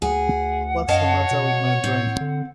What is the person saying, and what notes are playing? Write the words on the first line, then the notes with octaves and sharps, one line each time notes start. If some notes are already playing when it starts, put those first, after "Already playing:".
What's the matter with my brain?
D2 G#4 F#5
F#2 C#5 D#5 F5 A5
B2
A2 C4
D3